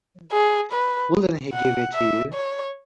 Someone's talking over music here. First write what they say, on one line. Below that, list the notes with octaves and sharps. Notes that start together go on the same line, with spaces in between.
Wouldn't he give it to you?
G#4
B4
F#5
E5
C#5